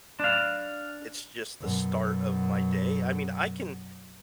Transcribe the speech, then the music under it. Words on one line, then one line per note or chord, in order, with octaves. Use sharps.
it's just the start of my day. I mean, I can
D4 F5
F#2 B2